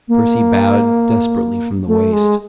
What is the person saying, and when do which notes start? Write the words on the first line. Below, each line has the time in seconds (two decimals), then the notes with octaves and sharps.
Percy bowed, desperately, from the waist.
0.08 A#3
1.87 A3
2.12 G#3